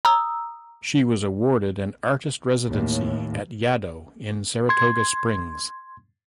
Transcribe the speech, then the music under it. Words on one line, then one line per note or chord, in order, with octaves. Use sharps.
She was awarded an Artist Residency at Yaddo in Saratoga Springs.
A#5 D#6 E6
D#2 A2
C6 G#6